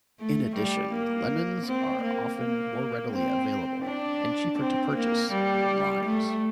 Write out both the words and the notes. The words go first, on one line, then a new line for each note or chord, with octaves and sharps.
In addition lemons are often more readily available, and cheaper to purchase, than limes.
A3
G3
A#3
C4
A#3
A#3
C4
D4
C4
A#3
G3
A3